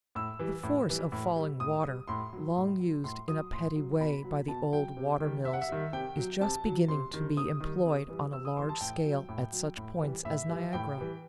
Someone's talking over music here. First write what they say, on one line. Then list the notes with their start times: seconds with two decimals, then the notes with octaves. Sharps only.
The force of falling water, long used in a petty way by the old water-mills, is just beginning to be employed on a large scale at such points as Niagara.
0.15 A2 E6
0.39 E3 G3
0.63 A2
0.89 E3 G3
1.12 A2
1.36 G3
1.60 A2 D#6
1.84 G3
2.08 A2 C6
2.33 F#3
2.57 A2
2.80 F#3
3.04 A2 C6
3.28 F#3 D#6
3.52 A2 C6
3.76 F#3
4.00 B2 B5
4.24 F#3
4.48 B2 A5
4.73 F#3 G5
4.97 C3
5.20 D#3 G3
5.45 C3 E5
5.53 F#5
5.62 E5
5.69 D#3 G3
5.93 C3 G5
6.16 F#3
6.41 C3 A5
6.65 F#3
6.88 C3 C6
7.13 D#3 G3
7.36 C3 D#6
7.61 D#3 G3
7.86 C3
8.10 E3 G3
8.33 C3 E6
8.45 D#6
8.57 E3 G3 C6
8.69 A5
8.81 A2 G5
9.05 F#3
9.29 A2
9.53 F#3
9.77 A2
10.01 E3 G3
10.25 A2 E5
10.49 E3 G3
10.73 A2 G5
10.98 E3 G3